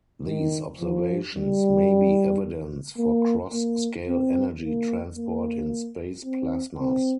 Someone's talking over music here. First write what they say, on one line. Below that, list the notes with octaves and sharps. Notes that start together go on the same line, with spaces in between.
These observations may be evidence for cross-scale energy transport in space plasmas.
D#3
F3
G3
A#3
A#3
C4
A#3
A#3
C4
C4